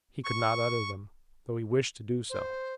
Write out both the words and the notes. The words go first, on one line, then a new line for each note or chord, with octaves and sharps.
He could not utter them, though he wished to do so.
C#6
C5